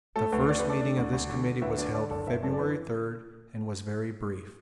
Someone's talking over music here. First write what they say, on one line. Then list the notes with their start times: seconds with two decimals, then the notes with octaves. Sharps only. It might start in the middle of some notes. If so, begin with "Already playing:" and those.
The first meeting of this committee was held February third and was very brief.
0.16 A3 A4
0.32 D2 B4
0.49 D4 D5
0.59 B4
0.65 A3 A4 D5
0.81 D4
0.97 D2
1.13 D2
1.29 D3
1.46 D3
1.62 D2 B4 E5
1.78 D4 B4
1.94 D3 A4 D5
2.10 F#1 A4 D5
2.27 F#1 B4 E5
2.43 F#2 A4 D5
2.53 D5
2.59 E3 B4